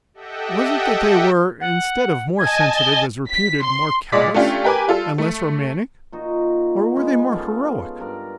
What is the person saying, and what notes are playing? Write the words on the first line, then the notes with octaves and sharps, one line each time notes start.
Was it that they were, instead of more sensitive, as reputed, more callous, and less romantic; or were they more heroic?
G4 A4 D#5 E5 F#5 G5
F#5
D#5 G#5 A5 G#6
G7
B6
C6
A#2 G#3 D5 D6 B6
A3 C#4 D4 F4 G4
G4 A#4 B4 G#5 D6
G3 F4 A4
A3
A#2 D#4 F#4
G#3 B3
C#3 F4 G#4 A4
G2 A#4 D5